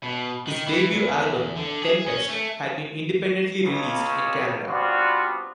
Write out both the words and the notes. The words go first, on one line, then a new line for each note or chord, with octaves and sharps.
His debut album "Tempest" had been independently released in Canada.
B2
D#3
E3
E2
D3
G#4
C#4
A3
C#2 C#3
G3 B3 C4 D4 F4 F#4